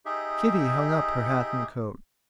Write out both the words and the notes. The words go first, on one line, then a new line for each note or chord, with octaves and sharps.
Kitty hung up her hat and coat.
D#4 G4 G#4 E5